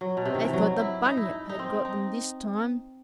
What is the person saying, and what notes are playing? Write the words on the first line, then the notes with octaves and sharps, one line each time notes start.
They thought the Bunyip had got them this time.
F#3
B2
C3
D#3
E3
F#3
E4
D#4
E4
D#4
D#4
C4
D#4